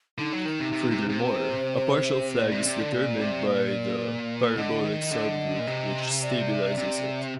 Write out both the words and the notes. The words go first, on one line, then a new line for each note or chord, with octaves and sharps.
Furthermore, a partial flag is determined by the parabolic subgroup which stabilizes it.
D3 D#4
F#3
D#3
C3
C3
C3
C3
C5
A#2 D5
C3
C3
D3
A#2
C3
A#2
D3 D#5
D#3
D3
A#2
C3
D5
C3